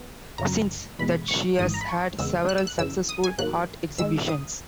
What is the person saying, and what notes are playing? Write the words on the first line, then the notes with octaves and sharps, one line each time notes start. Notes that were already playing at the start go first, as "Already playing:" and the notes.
Since that she has had several successful art exhibitions.
Already playing: B3
F#2 C#3 F#3 A#5
E2 B2 G#3 B5
C#6
G#1 G#2 E3 D#6
A#5
B5
C#6
E2 C#3 G#3 B3 E6
F#6
E6
F#6
F#2 C#3 E3 E6
D#6
G#5
G#2 D#3 F#3 A#3 F#6
G#2 D#3 G#3 E6
D#6